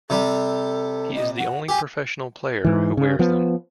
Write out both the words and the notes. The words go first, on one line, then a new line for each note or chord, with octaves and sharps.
He is the only professional player who wears them.
C3 G3 A4
D#5
F#5
G4 G#5
G#2 E3
C#3
F3 B3